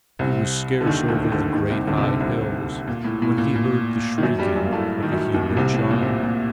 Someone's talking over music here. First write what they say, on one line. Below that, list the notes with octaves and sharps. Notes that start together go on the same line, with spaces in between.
He was scarce over the great high hills when he heard the shrieking of a human child.
C2 C3
D3
D#2 D#3
D2 D3
D#3
D2 D3
D#2 D#3
C2 C3
D2 D3
C3
D2 D3
C2 C3
A#2
A2
A2
A#2
A#2
D#3
F#2 F#3
G2 G3
F#2 F#3
A#3
A2 A3
D#3
F#2 F#3
D#2 D#3
A#2
C2 C3
A2
A#2
C3
A#2
A#2